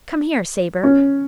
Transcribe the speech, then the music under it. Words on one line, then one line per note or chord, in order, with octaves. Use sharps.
"Come here, Sabre."
C#4